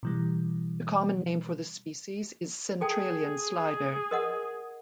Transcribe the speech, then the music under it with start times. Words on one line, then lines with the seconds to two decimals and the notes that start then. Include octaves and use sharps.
The common name for the species is centralian slider.
0.03 B2 E3 G3
2.81 G#4 A4 G5 A5
4.11 A#4 D#5 F#5